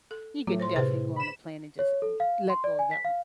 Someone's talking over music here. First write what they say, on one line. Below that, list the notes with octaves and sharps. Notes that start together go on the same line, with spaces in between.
you could definitely go on a plane and just l let go of that one.
A4
A2 F#3 F4
C5 C#5 C6
C3 G#4 B4 C5
B5 E7
C#5
A4
F5
C6
D5
G#5
B6
F5